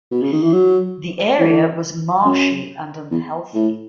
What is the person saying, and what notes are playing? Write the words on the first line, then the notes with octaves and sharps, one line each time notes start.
The area was marshy and unhealthy.
B2
C#3
D#3
E3
F#3
E3
F#2
E2
A2